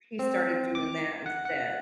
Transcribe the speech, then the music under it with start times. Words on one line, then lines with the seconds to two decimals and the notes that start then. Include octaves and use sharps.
he started doing that instead.
0.19 C4
0.75 D6
1.26 F#5
1.45 F#5